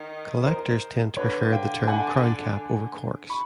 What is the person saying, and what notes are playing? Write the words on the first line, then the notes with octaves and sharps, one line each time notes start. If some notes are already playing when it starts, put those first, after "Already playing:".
Collectors tend to prefer the term crown cap over corks.
Already playing: D#3
A#4 C5
D3 B4 C#5
F5 G5
F#5 G#5
B5 C#6